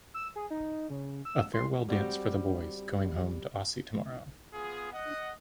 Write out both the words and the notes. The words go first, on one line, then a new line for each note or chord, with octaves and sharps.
A farewell dance for the boys going home to Aussie tomorrow.
E6
G#4
D#4
C#3
E6
C6
G3 C4 F#4 G4
B3 F4 G#4
D#5 F#5